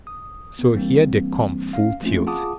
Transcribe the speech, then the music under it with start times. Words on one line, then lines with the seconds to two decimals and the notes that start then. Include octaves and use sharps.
So here they come, full tilt.
0.07 D#6
0.59 B3
0.75 E3 G3 A#3 C4 D4
1.73 C#4 F5
2.02 F3 A3 A#3 C4 C#4 F4
2.27 F4 G#4 F#5 A5 D6 D#6